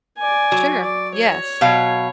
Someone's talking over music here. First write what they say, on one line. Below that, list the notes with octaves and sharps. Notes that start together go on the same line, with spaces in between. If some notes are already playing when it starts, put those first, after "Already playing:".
Sure. Yes.
D5 G#5
F#3
D5
C#5
B2 F#3 F5